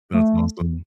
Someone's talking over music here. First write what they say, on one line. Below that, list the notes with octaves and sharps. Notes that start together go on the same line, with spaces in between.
That's awesome.
A3